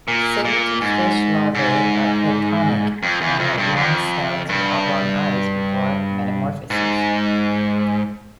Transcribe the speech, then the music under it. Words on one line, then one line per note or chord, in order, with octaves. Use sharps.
Sabertooth fish larvae are planktonic and have long snouts and oblong eyes before metamorphosis.
A#2
A#2
G#2
G#2
F2
E2
F2
G2
F2
G2
G#2